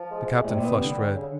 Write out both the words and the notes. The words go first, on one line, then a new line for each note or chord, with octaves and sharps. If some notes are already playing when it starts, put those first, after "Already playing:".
The captain flushed red.
Already playing: F3
G#3
C3
A2 G3
A#2 B3
C3
D3 G3
C#3
C#3